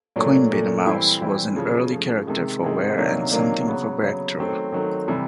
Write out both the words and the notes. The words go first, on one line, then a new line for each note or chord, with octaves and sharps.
Quimby the Mouse was an early character for Ware and something of a breakthrough.
A#2 F#3 A3 D4
A#2 F#3 A3 D4
E3 G3 C4 E4
E3 G3 C4 E4
C#3 F3 A3
C#3 F3 A3
C3 D#3 G#3
C3 D#3 G#3
C3 D#3 F#3 A#3 D4
C3 D#3 F#3 A#3 D4
C#3 F#3 B3
C#3 F#3 B3
D#3 F#3 A3 C4
D#3 F#3 A3 C4
C3 E3 G3